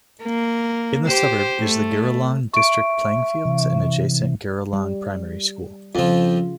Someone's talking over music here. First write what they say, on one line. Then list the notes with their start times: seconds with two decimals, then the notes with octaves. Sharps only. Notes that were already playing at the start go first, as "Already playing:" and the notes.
In the suburb is the Giralang District Playing fields and adjacent Giralang Primary School.
0.23 A#3
1.08 G4 C5
1.59 A3
2.54 E5 C#6 D7
3.45 C3 E3
4.73 G3
5.95 F2 C#3 F3 F4